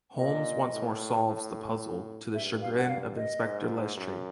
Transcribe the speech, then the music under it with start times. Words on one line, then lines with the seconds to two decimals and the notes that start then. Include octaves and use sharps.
Holmes once more solves the puzzle to the chagrin of Inspector Lestrade.
0.16 A#2 D#5
0.71 A2
1.25 A2
2.35 G2 E5
2.62 F5
2.78 F#5
2.89 F5
3.16 D#5
3.43 G#2
3.98 F#2